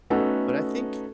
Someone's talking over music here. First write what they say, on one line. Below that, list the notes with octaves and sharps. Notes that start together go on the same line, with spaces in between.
But I think
A3 B3 C#4 D#4 F#4 A4